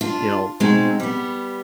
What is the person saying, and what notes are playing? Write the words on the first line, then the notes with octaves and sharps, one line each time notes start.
you know,
D4 F4
B2 G#3 C4 D#4
G3 B3